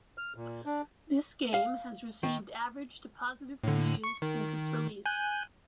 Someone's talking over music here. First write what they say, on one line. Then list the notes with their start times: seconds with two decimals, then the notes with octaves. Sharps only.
This game has received average to positive reviews since its release.
0.18 F6
0.36 A#2
0.65 D4
1.54 F5
2.23 D#3
3.64 A2 D3
4.04 C#6 C#7
4.22 D#3
5.06 G#5 F#6 G6